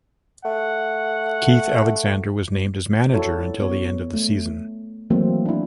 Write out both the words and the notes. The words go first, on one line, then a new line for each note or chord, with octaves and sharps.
Keith Alexander was named as manager until the end of the season.
A3 F#5
E4 F#4 A4 C#5
B3 C#5
A3
D#3 E3 F#3 A3 A#3 C4
D4 E4